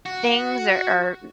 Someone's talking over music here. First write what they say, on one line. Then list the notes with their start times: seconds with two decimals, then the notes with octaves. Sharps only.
things or or,
0.06 F#4